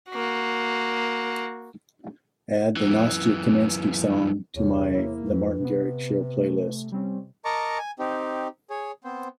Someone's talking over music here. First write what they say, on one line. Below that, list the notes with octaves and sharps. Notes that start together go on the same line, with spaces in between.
Add the Nastya Kamenskih song to my The Martin Garrix Show playlist.
A#3 F#4
F#2 E3
E2 C3 C#5
A#3 E4
F2 B4
C3 B3
A3
G3 C4 C#4
A#4 D#5 A5 A#5 C#6 D6
G#5
C4 D#4 G4
G#4 C#5
B3 C4 C5